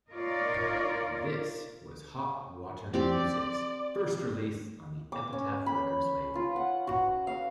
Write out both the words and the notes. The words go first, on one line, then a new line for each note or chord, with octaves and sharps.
This was Hot Water Music's first release on the Epitaph Records label.
D#4 F4 A#4 C#5 D5
C4 G4 D5
D6
C#4
B5
F4
F#5
F#4
F5